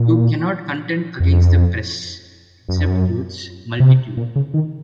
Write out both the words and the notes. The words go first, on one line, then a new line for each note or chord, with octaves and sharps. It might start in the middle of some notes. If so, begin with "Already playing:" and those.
You cannot contend against the Press, except through its multitude.
Already playing: A#2
F2
F#2
F2
F#2
C3
A#2
C#3
D#3